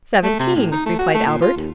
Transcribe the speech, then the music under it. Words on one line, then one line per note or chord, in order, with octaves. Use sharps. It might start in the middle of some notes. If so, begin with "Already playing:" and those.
"Seventeen!" replied Albert.
A3
C3
A2
D#4
A3
F#4
A3
A#2
F4
D#2